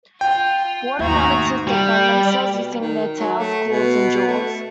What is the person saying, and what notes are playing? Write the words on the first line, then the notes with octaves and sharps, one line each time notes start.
Water monitors defend themselves using their tails, claws, and jaws.
F4 G5
D#2 G#2 A3 F#4 A#5
G3
B2
D#3
F#3
A3
B2
A3